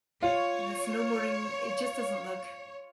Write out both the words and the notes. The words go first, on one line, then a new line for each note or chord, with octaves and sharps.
the snowboarding, it just doesn't look
F4 C#5